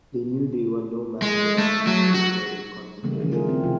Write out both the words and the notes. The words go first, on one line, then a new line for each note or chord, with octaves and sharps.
They knew they were no match for the army and avoided confrontations.
G#3
A3
F#3
F#4
C#3 E3 G3 A3 A#3
D#3 F3 G3 A3 C#4
F4 G#4 A#4
C4
C3 E3 F3 F4